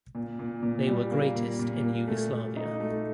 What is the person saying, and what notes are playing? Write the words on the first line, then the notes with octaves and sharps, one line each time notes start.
They were greatest in Yugoslavia.
A#2
A#2
A#2
G3
A#3
A#2
A#2
A#3
A3
A3
D#4
A3